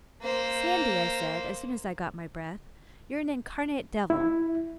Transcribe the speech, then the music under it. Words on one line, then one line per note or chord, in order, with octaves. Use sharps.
'Sandy,' I said, as soon as I got my breath, 'you're an incarnate devil.
A#3 C5
E4